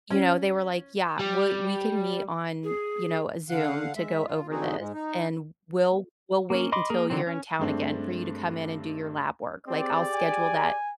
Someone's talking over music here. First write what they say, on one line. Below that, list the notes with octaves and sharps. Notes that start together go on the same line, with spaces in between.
you know, they were like, "Yeah. We we can meet on, you know, Zoom to go over this, and we'll we'll wait until you're in town again for you to come in and do your lab work, like, I'll schedule that
C#4
G3
G#4
D3 F5 F#5
G#3 E5
F4
D3 E3 C4 D#4 F#4 G#4
G#2 G#3
D#4
A#3 C#4
D#5 B5 C6 D6
A#3 G#4 A#4
D3 D#3 F#3 C4
C#4
G2 G#3 A3 C4 D4
C4 G4 G#4 D5
G#5